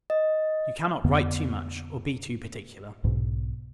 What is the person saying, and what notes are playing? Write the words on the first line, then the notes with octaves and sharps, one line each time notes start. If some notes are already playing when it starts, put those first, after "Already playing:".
You cannot write too much, or be too particular.
D#5
F2 D3 B3
B1 G#2 B2